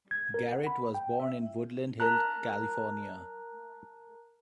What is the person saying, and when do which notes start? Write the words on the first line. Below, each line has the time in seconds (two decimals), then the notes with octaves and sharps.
Garrett was born in Woodland Hills, California.
0.11 G#6
0.34 A#4
0.53 F#5
0.67 B5
0.94 G5
1.20 E5
2.00 A#4 A5 A#5 F#6